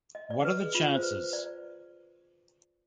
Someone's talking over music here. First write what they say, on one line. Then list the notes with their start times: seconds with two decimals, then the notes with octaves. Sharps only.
What are the chances?
0.15 D#5
0.30 D5
0.45 B4
0.60 G#4
0.75 F4
0.95 C5
1.03 B4
1.33 D5